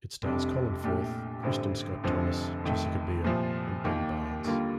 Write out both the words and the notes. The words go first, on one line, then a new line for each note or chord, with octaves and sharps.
It stars Colin Firth, Kristin Scott Thomas, Jessica Biel and Ben Barnes.
F1 F2 C3 G3 D4
A#1 A#2 A3 D4 G4
A1 G2 D3 G3 C4
F1 F2 D3 F3
F1 F2 D#3 A3
C2 A#2 F3
D#2 D#3 A#3
D#2 D3 G3 A#3 F4